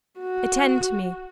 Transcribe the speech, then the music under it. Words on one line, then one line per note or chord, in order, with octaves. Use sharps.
"Attend to me."
F#4